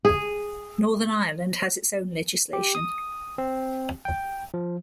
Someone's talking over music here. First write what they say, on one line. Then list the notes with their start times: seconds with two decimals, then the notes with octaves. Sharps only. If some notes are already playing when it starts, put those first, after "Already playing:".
Northern Ireland has its own legislation.
0.05 G#4
2.53 G4
2.75 D#6
3.38 C4
4.05 G5
4.54 F3